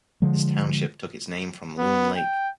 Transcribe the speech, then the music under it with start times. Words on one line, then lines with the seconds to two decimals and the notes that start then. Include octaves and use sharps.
This township took its name from Loon Lake.
0.22 D3 F3 G#3
1.78 B3
2.17 G5